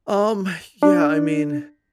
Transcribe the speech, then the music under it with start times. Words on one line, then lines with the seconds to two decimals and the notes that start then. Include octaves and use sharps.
Um, yeah. I mean,
0.83 D4